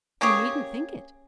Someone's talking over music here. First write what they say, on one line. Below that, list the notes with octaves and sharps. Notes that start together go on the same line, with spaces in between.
You needn't think it.
A#3 C#4 G4 G#4